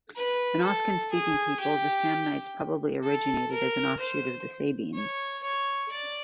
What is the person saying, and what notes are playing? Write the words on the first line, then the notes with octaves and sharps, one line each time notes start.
An Oscan-speaking people, the Samnites probably originated as an offshoot of the Sabines.
B4
A4
G#4
G4
A4
A#4
C5
C#5
C#5
D5